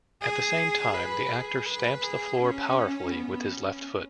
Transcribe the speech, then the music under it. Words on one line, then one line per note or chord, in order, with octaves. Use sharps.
At the same time, the actor stamps the floor powerfully with his left foot.
G#4
B4
G#4
B4
G#4
C#4
B3
C#4